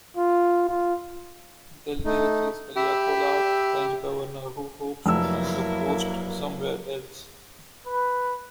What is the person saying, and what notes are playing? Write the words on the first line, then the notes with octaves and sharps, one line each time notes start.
De Lage is Haleakaloha's French governor, who hopes to find a post somewhere else.
F4
F4
A3 D#4
G4 E5 B5 E6
F1 F#3 A#3 E4 A#4 E6
B4